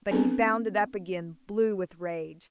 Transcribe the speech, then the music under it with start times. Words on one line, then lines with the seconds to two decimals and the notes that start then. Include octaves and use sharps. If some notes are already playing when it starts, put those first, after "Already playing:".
But he bounded up again, blue with rage.
0.11 B3 C4 D4 G#4 A4 B4